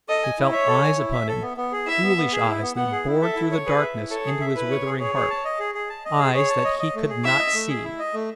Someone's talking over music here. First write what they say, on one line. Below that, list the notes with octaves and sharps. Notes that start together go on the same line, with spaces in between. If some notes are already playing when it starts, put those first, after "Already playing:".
He felt eyes upon him--ghoulish eyes that bored through the darkness into his withering heart--eyes that he could not see.
A4 D#5
G#5
E4
C#5 E5
A4
G#5
E4
E5
A4
B3
B3
G#4
E4 E5
B3
B3
G#4
E4
B3
B3 F#5
G#4
E4
A4 E5
E4
C#5
G#4 B4
E5
E4
A4 C#5
G#4
E5
E4 B4
C#5
G#4
G#4 C#5
G#4
A5
D#5
G#4
G#4
A5
D#5
G#4
G#4 C#5
A5
D#5
D#5
A3
G#4
E4 E5
D#5
A3
G#4
E4
D#5
A3